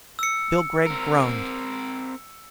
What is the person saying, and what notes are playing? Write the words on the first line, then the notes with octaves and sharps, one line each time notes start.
Bill Gregg groaned.
E6 C#7
C4 A#4